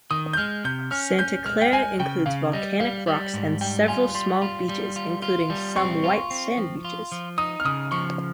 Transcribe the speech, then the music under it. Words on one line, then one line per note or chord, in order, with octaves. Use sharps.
Santa Clara includes volcanic rocks and several small beaches, including some white sand beaches.
D#3 D#6
G6
G#3 F6
C3 G6
C#4 F6
C#4 G6
G#3 F6
G5
G#3 G#5
C#3 G5
C#3 F5
G3 D#5
G3 F5
G3
G#2
G3 G5
F4 G#5
G3 C6
F4
G3
F4
F4
G3
C4 C#6
F4
C4
F3
F4
F3
D#4 D#6
F6
C#3 D#6
F3 C#6